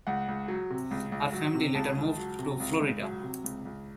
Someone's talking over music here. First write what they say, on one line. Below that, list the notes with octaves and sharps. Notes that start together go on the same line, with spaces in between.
Her family later moved to Florida.
C#2 F#5
C#2
F#3
C3
C#2
C#2
F#3
C3
C#2 A5
C#2
F#3
C3
C#2
C#2
F#3
C3
C#2
C#2